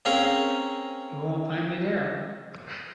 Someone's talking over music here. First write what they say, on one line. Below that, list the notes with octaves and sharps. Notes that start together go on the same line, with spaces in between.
You won't find me there.
A#3 C4 C#4 G#4 A#4 F5